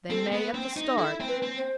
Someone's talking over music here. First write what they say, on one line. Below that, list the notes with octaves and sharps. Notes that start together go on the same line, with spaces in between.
"They may at the start."
C4 A4
B3
C4
D#4
E4 A4
C4
B4
C4
C5